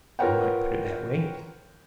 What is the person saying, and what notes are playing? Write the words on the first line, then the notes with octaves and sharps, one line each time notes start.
"You might put it that way."
F4 A#4 B4 C#5 F#5 G5